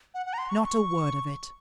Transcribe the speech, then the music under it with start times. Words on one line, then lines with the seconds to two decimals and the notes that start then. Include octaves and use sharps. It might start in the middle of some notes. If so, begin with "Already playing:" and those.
'Not a word of it.
0.14 F#5
0.26 F#5
0.33 A#5
0.38 C6
0.49 C#6
0.66 C#6